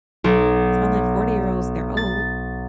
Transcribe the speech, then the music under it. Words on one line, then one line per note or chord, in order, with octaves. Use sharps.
telling forty-year-olds they're old.
B1
A6